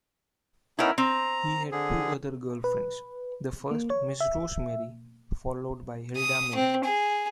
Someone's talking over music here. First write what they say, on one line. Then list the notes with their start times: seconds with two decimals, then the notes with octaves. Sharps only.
He had two other girlfriends; the first Miss Rosemary followed by Hilda May.
0.79 B3 C#4 D#4 E4 A#4
0.98 C4 A#5
1.72 D3 G#4
2.64 B4
3.71 A#3
3.90 C#5
4.21 E5
6.17 D#6
6.55 C4
6.85 G#4